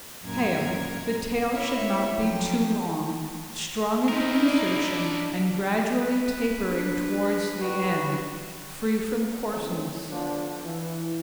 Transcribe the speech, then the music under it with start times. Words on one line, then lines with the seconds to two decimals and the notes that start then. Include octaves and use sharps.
TAIL--The tail should not be too long, strong at the insertion, and gradually tapering towards the end, free from coarseness.
0.24 F#2 A#2 A#4 G#6
1.54 E4 C#5 E5
2.19 F3 F#3 G5
4.09 D#4 E4 A#4
4.44 D4 D5
6.00 B4
6.59 D4
7.60 G3 F#4 B4
9.50 D2 E3 A3 C4 C#4
10.10 D3 F3 B3 D4
10.65 E3